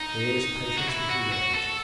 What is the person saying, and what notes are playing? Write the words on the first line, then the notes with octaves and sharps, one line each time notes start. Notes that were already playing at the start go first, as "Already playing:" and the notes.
His patience was rewarded.
Already playing: D#4
F#4
E4
F#4
F#4
A4